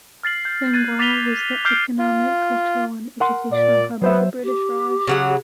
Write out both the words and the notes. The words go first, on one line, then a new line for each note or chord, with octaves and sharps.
Bengal was the economic, cultural and educational hub of the British Raj.
F6 A6 C7 F#7
G6
F#6 G#6 A6 D#7
D6 A6 B6 D#7 F7 G7
D6 F6 G6 C7 D7 G7
F4
A#4 F#5 C6
A#2 D5
F#3 B3 C5 E5
G4
C#3 F#3 F#5